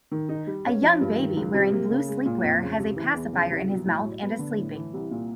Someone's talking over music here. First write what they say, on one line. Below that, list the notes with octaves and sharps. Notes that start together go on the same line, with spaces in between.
A young baby wearing blue sleepwear has a pacifier in his mouth and is sleeping.
D#3
D#4
G3
C#4
F3
G2
D#3
C#2
C3
A#3
C#3
G#3
A#2
F2
C#3
C3
E3
E2
C#3
C2
B2
A2
F#3
B3
D3
A2
E3
C2
A#2